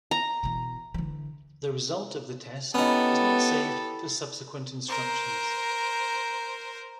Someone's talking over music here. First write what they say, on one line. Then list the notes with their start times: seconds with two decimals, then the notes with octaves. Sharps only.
The result of the test is not saved for subsequent instructions.
0.11 A#5
0.43 B2 E3
0.94 D3 E3
2.74 B3 C#4 D#4 E4 G4 A4 B5
4.89 A#4 C5